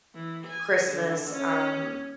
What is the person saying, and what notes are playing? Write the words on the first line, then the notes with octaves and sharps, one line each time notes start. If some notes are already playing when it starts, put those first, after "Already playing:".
Christmas, um,
E3
G#5
D3
C#4